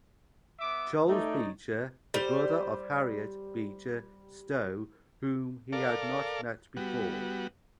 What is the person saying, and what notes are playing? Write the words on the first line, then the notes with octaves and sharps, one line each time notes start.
Charles Beecher, the brother of Harriet Beecher Stowe whom he had not met before.
B3 E5 D6
A3 D#4 C#5 D5
G3 C5
A4 A#4 D5 F5
G3 B3 F#4